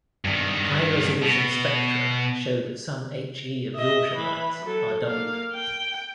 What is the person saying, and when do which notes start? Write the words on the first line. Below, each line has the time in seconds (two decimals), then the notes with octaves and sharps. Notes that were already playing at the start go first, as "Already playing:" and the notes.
High resolution spectra show that some He absorption lines are doubled.
0.25 G2 D#3
1.23 B2
3.75 D#5 E5
4.15 E3 B5
4.65 F#3 A4
5.06 A#3 F5
5.54 G5